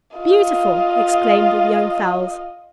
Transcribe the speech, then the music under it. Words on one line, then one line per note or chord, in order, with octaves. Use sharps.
"Beautiful!" exclaimed the young fowls.
F4 D#5